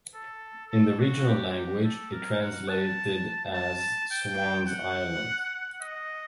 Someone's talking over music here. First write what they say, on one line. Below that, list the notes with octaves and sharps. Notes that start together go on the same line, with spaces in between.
In the regional language it translated as "Swans Island".
A4
A4
F#4
G4
A4
A#4
F#5
A5
A5
G5
F#5
D#5